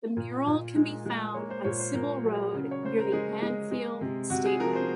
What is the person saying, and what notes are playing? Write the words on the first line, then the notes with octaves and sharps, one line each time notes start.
The mural can be found on Sybil Road near the Anfield Stadium.
A#2
A#2
G#3
G#3
A#3 C#5
C5
A#2 C#5
C5
A#2 A#4
F#3
C#3
C#5
C#3 C5
A#4
G#3 G#4
G#3
G#3
C3
C3 F#4
G#4
F3 A#4
C5